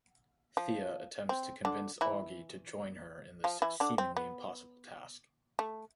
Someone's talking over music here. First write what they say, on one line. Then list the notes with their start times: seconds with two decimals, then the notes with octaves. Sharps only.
Thea attempts to convince Augie to join her in this seemingly impossible task.
0.57 F3
1.29 C4
1.65 D3 D4
2.01 E3 E4
3.44 F3 F4
3.62 E3 E4
3.80 D3 D4
3.98 C4
4.17 B3
5.59 A3